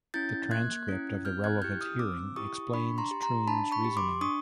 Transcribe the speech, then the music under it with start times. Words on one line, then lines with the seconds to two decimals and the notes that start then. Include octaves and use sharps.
The transcript of the relevant hearing explains Troon's reasoning.
0.14 C#4 E4 G6 A6
0.51 A#3 F#6 G#6
0.88 C#4 E4
1.25 C4 F6 G6
1.44 F#6 G#6
1.62 E4 G4 F6 G6
1.81 D#6 F6
1.99 C4 D6 E6
2.36 E4 G4 C#6 D#6
2.74 D4 B5 C#6
2.98 A#5 C6
3.11 G4
3.23 A#5 C6
3.47 D4 A5 B5
3.72 B5 C#6
3.85 G4
3.97 C6 D6
4.21 D4 C#6 D#6